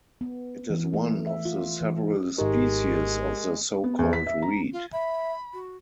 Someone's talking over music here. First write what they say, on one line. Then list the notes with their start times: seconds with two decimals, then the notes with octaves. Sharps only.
It is one of the several species of the so-called reed.
0.21 B3
0.70 E3
0.93 A3
1.27 E5
1.45 F4
1.81 E3
2.38 G#1 G#3 D#4 G4 A#4
3.84 B3
3.99 E2
4.13 B6
4.27 E5
4.42 A#5
4.73 F4
4.93 E5 B5
5.53 F#4